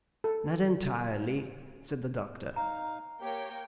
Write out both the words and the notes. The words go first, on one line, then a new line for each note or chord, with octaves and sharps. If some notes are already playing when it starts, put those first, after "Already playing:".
"Not entirely," said the doctor.
A4
D#4 F5 A#5
A#3 G4 C#5 G5